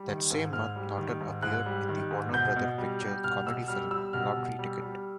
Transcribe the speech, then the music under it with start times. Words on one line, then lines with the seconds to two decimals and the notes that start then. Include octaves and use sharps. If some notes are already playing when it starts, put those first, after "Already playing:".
That same month Naughton appeared in the Warner Brothers Pictures comedy film "Lottery Ticket".
Already playing: G3
0.08 D#3
0.31 G#2
0.53 G#2 F6
0.76 G3
0.98 D#3
1.21 G#2
1.42 G#2 F#6
1.66 G3
1.89 D#3
2.11 G#2
2.33 B2 G6
2.56 B2
2.78 G3
3.01 G3
3.24 B2 F6
3.47 B2 E6
3.68 G3 F6
3.91 G3 E6
4.13 B2 F6
4.37 B2
4.59 G3
4.82 G3